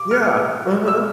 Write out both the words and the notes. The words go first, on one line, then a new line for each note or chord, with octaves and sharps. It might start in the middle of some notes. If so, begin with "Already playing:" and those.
Yeah. Uh-huh.
Already playing: D6
F6
E6